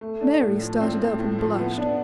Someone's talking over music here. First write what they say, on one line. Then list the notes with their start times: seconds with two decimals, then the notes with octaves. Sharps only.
Mary started up and blushed.
0.01 A3
0.21 D4
0.42 A2
0.60 F3
0.81 C4
1.00 A2
1.19 A2
1.39 F3
1.58 B3
1.77 D4